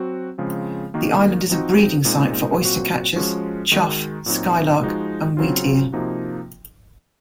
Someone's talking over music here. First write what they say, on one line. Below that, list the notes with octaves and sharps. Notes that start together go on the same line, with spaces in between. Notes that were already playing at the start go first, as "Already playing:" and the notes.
The island is a breeding site for oystercatchers, chough, skylark and wheatear.
Already playing: F#3 C4 F#4
C#3 F3 G#3 C4
D#3 A#3 D#4 F#4
F3 C4 D#4 F#4
A#2 G#3 C4 D#4
A#2 F#3 C4 F#4
F3 G#3 C#4 F#4
D#3 G#3 D#4 F#4
A#2 F#3 C4 D#4 F#4
F3 G#3 D#4 F#4
C#3 F#3 C4 F4
C3 F3 A#3 D#4 F#4